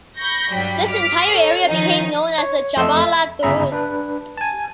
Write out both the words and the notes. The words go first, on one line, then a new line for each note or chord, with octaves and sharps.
This entire area became known as the 'Jabal ad-Duruz'.
B5 C#6 G6 A#6
G2 F#3 G3 G5 B6
D6 F6 B6
A4 C#5
D#3 F3 C#4 D#4
C#5
F2 A3 A4 D#5 C6 E6
E5
G1 C#3 G#4 E5 A#5 B5
D4 B4
G#5 A5